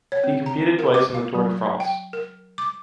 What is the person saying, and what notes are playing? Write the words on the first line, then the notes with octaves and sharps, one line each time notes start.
He competed twice in the Tour de France.
C#5
C4
A#5
A#4
D6
F5
F#3
G5
A#4
D6